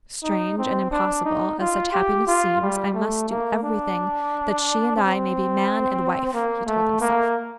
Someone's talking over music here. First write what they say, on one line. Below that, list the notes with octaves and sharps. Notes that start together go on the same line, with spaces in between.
"Strange and impossible as such happiness seems, I must do everything that she and I may be man and wife," he told himself.
D#4
C4
D4
D#4
F4
G4
F4
G3
A3
A#3
D4
C4
A#3
A3
A#3